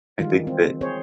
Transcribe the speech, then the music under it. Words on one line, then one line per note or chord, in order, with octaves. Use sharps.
I think that
D#3 E3 G3 G#3 F4
C4
C4 G#4 C5 C#5